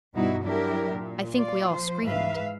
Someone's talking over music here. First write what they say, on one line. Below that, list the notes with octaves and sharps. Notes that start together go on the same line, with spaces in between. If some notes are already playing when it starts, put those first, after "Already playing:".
I think we all screamed.
G2 B2 G3 D#4 E4 F#4
F#3 D4 E4 G4 A#4
A#2
F4 D5
F3 C5
G#2 E3 B4 E5 F5